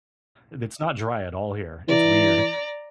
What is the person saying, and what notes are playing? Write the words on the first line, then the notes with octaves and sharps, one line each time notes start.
Th it's not dry at all here, it's weird
E3 D5 A#5